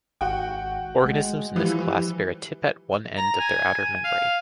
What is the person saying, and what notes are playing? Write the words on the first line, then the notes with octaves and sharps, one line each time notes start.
Organisms in this class bear a tip at one end of their outer membrane.
G#1 F#4 G5
G#3
E3 F3 G3
A#5
G#5
F5